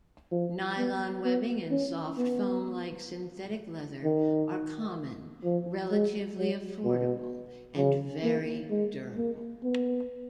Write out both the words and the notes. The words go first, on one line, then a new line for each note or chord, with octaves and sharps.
Nylon webbing and soft foam-like synthetic leather are common, relatively affordable, and very durable.
F3
B3
B3
C#4
B3
D#3
F3
G#3
F#3
B2
C#3
A#3
G#3
A#3
B3